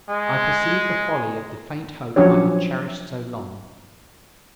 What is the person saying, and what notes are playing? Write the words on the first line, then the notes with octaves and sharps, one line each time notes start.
I perceived the folly of the faint hope I had cherished so long.
G#3
F3 F#3 C#4 D4 G4 C#5